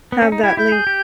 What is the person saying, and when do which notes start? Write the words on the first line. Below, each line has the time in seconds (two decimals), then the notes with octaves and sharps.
have that link
0.12 B3
0.22 C#4
0.32 D#4
0.43 E4 G#6
0.52 G4
0.57 E4 G6
0.72 G#4
0.87 G4